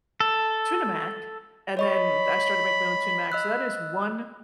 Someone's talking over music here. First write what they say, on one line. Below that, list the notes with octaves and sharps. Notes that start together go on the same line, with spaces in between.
Tuna Mac, and then I started to make my own Tuna Mac, so that is one
A4
C#5 D#5 B5 C#6
D#5 E6 F#6